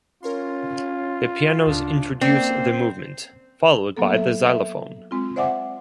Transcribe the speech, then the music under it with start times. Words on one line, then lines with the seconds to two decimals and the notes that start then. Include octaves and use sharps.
The pianos introduce the movement, followed by the xylophone.
0.23 C#4 F4 A#4 C#5 C6
1.67 D2 G#2 C#3 D4
2.21 A#3 C4 C#4 D5
3.97 F#3 A#3 B3 A4
4.14 A4 E5
4.48 E5
5.11 G#3 C4 F4
5.36 C5 D5 E5 F#5 G#5 D6